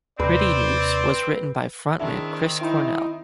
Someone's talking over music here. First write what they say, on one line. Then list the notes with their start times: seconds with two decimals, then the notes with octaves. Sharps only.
"Pretty Noose" was written by frontman Chris Cornell.
0.20 D#2 C3 C4 B4 D5
2.00 D#3 C4 D4 E4 G#4 E5
2.62 D#4 E4